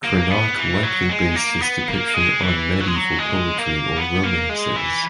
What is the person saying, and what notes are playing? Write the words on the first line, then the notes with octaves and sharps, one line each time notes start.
Cranach likely based his depiction on medieval poetry or romances.
A#3
B3
E3
F#3
G#3
A#3
B3
A#3
G#3
E3
F#3
G#3
F#3
G#3
A#3
B3
A#3
G#3
E3